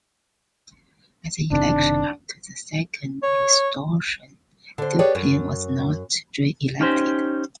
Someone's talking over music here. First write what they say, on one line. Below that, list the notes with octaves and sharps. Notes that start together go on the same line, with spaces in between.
At the election after the second restoration Dupin was not reelected.
F#1 C3 D#3 D4
C#5
D3 C5
G4 G#4 B4 C#5 D5 G5
F#2
C#4 D#4 G4 C5